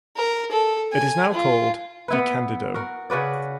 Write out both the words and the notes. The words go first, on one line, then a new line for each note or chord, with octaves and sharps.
It is now called "De Candido".
A#4
A4
G#5
F4
B3 E4 B4
F#4 A#4
C#3 F#4 B4 D5